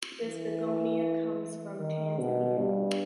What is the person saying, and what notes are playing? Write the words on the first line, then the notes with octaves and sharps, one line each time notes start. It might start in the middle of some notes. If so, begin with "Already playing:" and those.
This Begonia comes from Tanzania.
E3
D#3
B2
G2